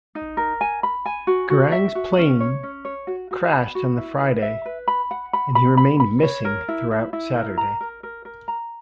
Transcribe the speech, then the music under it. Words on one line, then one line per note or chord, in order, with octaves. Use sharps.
Garang's plane crashed on the Friday and he remained 'missing' throughout Saturday.
D#4
A#4
G#5
B5
G#5
F#4
F#4
E5
F#4
C#4
C#5
C#4
C#5
F#4
F#4
B5
F#4
E4
B4
E5
B4
B5
F#5
B5
B5
B5
B5
C#5
A#4
E4
E4
E4
A#4
A#5
A#4
A#4
A#4
A#5